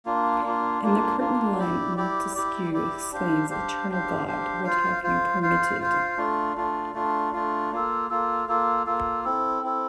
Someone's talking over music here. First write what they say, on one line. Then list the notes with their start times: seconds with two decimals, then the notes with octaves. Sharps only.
In the curtain-line Montesquieu exclaims Eternal God, what have you permitted!...
0.06 A#3 D4 F4
0.44 A#3 D4 F4
0.82 A#3 D4 F4
1.20 A#3 D4 F4
1.58 E4 G4 D5
1.97 E4 G4 D5
2.35 E4 G4 D5
2.73 E4 G4 D5
3.12 D4 G4 C5 F5
3.50 D4 G4 C5 F5
3.89 D4 G4 C5 F5
4.27 D4 G4 C5 F5
4.65 F4 C5 F5
5.03 F4 C5 F5
5.42 F4 C5 F5
5.79 F4 C5 F5
6.18 A3 D4 F4
6.56 A3 D4 F4
6.94 A3 D4 F4
7.33 A3 D4 F4
7.72 A#3 F4 A4
8.10 A#3 F4 A4
8.47 A#3 F4 A4
8.86 A#3 F4 A4
9.24 C4 E4 A4
9.63 C4 E4 A4